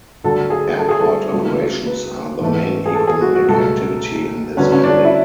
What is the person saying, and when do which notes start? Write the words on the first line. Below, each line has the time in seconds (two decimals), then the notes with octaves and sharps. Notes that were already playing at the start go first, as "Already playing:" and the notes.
Airport operations are the main economic activity in this valley.
0.24 D2 D3 F#3 A4
0.50 G#4
0.78 A4
0.89 G#4
1.00 A4
1.32 C#2 C#3 F#3 A3
1.86 B4
2.41 G#2 E3 A3
2.86 G#4
2.94 A4
3.07 G#4
3.21 F#4
3.35 F#4
3.48 C#2 B2 F#3 A3 A4
4.57 D2 D3 F#3 B3 C#4
4.72 C#4
4.84 D4
5.05 E4